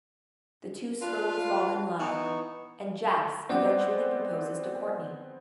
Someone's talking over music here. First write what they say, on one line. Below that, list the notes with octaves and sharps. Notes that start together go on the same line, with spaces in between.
The two slowly fall in love and Jax eventually proposes to Courtney.
D4 F4 B4
E3 B3 D#4 C#6
B3 C4 C5 D5 F#5